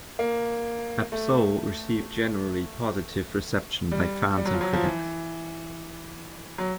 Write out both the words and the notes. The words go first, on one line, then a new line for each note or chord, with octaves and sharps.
Absol received generally positive reception by fans and critics.
A#3
A3
G3
G3
F#3
F3
F#3
F3
E3
F#3